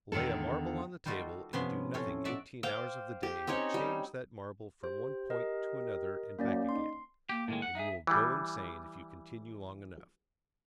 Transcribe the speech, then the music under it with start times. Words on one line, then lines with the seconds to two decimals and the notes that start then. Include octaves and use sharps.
Lay a marble on the table and do nothing eighteen hours of the day but change that marble from one point to another and back again, and you will go insane if you continue long enough.
0.12 E2 D3 D#3 F3 A4
1.05 G3 D#4 F4 F#4 A4
1.53 C3 F3 B3 C#4 B4 C6
1.94 A2 C4 C#4 A4 C#5
2.25 F#4 D5 E5 A5 A#5
2.63 C5 F5 G5 D6
3.23 G4
3.47 C4 C#4 D#4 C#5
3.74 G3
4.84 G4 C5
5.30 A#4 D#5
6.39 F#2 A#3 C#4 D5
6.69 D#4 C6
7.29 A#3 G4
7.48 A2 D#3 G#3
7.62 F#5
7.75 D#4 G#4 E5
8.07 E3 G3